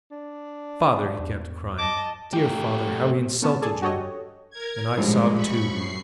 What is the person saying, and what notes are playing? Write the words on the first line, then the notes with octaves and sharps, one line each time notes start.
'Father,' he kept crying, 'dear father, how he insulted you!' And I sobbed too.
D4
E2
D#5 A5 D6
A3 G4
A3 B3 C#4 A5
G#4 A4 D5 G#5 A5
F#4 G4 A4 C#5 D#5
A#4 G#6
A1 G2 F3 G#3
B5 C#6
F#2 C7